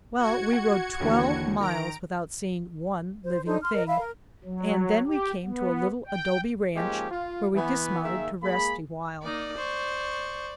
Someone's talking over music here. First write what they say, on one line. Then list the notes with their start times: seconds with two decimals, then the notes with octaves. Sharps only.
Well, we rode twelve miles without seeing one living thing, and then we came to a little adobe ranch where we dismounted to rest a while.
0.18 F#4 G#6 C#7
0.53 F#5
1.00 D#2 D3 E3
1.60 D#3 A#5 D7
3.24 C5
3.45 D4 D#4 A4 C5
3.62 C6 F6
3.74 A#4 D#5
3.87 E5 F5 B5
3.98 A#4
4.44 F#3
5.08 G4
5.45 B3
6.07 G5
6.76 F3 G#3 A#3 C#4 D#4 G4
7.10 F4
7.55 E3 B3
8.04 D#3 A#3 G#4 E5
8.43 G#3 A#3 G#4 B5
9.23 A#3 D#4 D5
9.57 C5 C#6